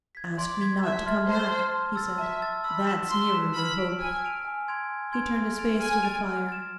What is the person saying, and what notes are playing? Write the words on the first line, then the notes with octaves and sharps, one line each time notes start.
'Ask me not to come back,' he said; 'that's nearer your hope.' He turned his face to the fire.
G#6 B6
D5 C6
G#6 B6
E5 A5
C6 F6 A6
C5 A5
C6 F6 A6
A5
E6 A6
E5 A5
E6 A6
B5 E6
B6 E7
C6 E6
B6 E7
B5 F6
B6 D7 F7
G#5 F6
B6 D7 F7
G#5
C6 G#6 D7 F7
G#5
C6 G#6 D7 F7
F6
A6 D7 F7
G#5 F6
A6 D7 F7
F6
A6 E7